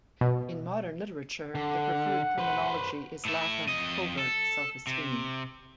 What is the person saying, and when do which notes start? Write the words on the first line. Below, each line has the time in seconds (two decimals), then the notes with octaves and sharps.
In modern literature, the preferred terminology is "lack of covert self-esteem".
0.21 B2
1.55 D3 F#5
2.39 B4 C5
3.25 A2 E4
3.67 F2 D#5
4.18 A4
4.87 C3